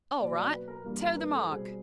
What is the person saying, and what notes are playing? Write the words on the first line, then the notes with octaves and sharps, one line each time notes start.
"All right, toe the mark!"
B2 F#3 A#3 D5
D5
B4
A#4
G2 E3 G3 A#3
A#4
B4
A4
B2 G3 C4 G#4